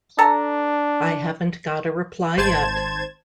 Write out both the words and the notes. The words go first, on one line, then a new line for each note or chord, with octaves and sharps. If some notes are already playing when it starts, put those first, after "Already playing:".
I haven't got a reply yet.
D4 A4 A#5
G#1 C5 A5 G#6 E7